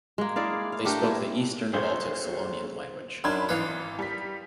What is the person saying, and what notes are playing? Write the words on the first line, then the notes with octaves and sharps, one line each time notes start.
They spoke the Eastern Baltic Selonian language.
G#3 A#3
E4 G#4 D5 F5
F5
A3 D4 G4 A#4
G#3 E4
G#4 A4 C5 C#5 F5
F#2 D4 D#4 B5 C6 G#6
G#1 E3 B4 F5
G3 B6